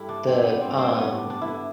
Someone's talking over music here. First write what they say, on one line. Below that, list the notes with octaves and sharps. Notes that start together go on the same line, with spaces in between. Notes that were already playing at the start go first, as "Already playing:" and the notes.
the, um
Already playing: G2 E4 G4 A4
G3 D4
G2 C4
G3 B3
G3 C4
G3 C4
G2 B3
G2
D4
G2 D4
E4
D3